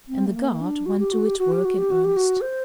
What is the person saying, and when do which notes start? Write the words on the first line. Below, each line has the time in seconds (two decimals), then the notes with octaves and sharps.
And the Guard went to its work in earnest.
0.08 C4
0.26 A3
0.35 A#3
0.61 D4
0.86 F#4
0.99 G4
1.13 F#4
1.25 G4
1.39 F#4
1.52 G4
1.65 F#4
1.78 G4
1.91 F#4
2.04 G4
2.17 F#4
2.41 C5